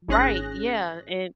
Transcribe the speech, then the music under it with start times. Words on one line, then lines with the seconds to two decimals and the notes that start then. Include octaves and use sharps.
right, yeah, and
0.08 G#1 G#2 C#4 G#4 F#6 A#6